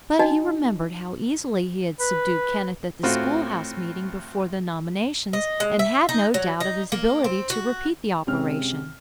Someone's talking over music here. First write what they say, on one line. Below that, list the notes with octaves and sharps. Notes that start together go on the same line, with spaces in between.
But he remembered how easily he had subdued Kenneth at the school-house meeting before the nominations, and had no doubt of his ability to repeat the operation.
D4 D#4 F#4 D#5 A5
B4
A2 C4 F4 F#4
D#5
G#3
E5
D#4
F#3
D#4
A#3
C4
F#4
C3 G#3 C4 C#4 F6